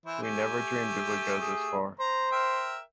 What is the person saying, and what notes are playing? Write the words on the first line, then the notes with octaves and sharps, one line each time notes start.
We never dreamed it would go this far.
E3 E4 C5
A3 G4 G#5
G#4
C5 A#5
A#4 E5 G5